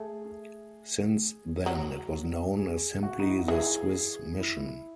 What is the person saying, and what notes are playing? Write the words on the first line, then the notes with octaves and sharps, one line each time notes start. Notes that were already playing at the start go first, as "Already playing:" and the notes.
Since then it was known as simply the Swiss mission.
Already playing: A3 G#4
F#3
G#4
F#4
D#4
E4
F#4
E3 G#4
E4